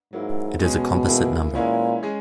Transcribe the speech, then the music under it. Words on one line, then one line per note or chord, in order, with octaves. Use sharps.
It is a composite number.
G#2 F#3 A#3 E4
B2 G#3 C#4 G#4
E3 A#3 E4 G#4
A#2 E3 G#3 C#4 E4
G#3 C#4 G#4